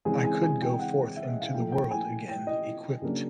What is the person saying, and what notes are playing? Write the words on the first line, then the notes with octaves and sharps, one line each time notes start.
I could go forth into the world again, equipped.
C#3 E3 G#3 C4 G#5
G#5
G#5
G5
F#5
E5
D#5
F5
A#2 F3 A3 G5
G5
G#5
G5
D#5
C#3 F#3 A#3 D4